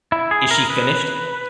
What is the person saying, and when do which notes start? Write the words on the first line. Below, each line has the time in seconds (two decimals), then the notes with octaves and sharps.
Is she finished?
0.12 E4
0.31 G#4
0.51 A#4
0.70 B4